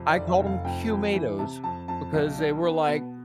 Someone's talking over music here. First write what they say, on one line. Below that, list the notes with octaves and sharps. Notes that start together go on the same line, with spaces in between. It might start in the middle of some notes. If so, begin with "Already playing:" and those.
I called 'em "Cumatoes" because they were like
Already playing: F2 C3
D5
F1
E5
F1
F5
F2 G5
F2
E3
C3 A5
F2 A5
F2 A5
B1
D4
B3
B2